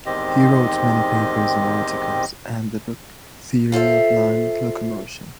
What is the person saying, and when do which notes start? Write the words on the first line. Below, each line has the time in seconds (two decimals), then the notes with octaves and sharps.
He wrote many papers and articles, and the book "Theory of Land Locomotion".
0.06 E2 G#2 D#3 C4 G4 D#5
3.72 F4 A4 C5 E5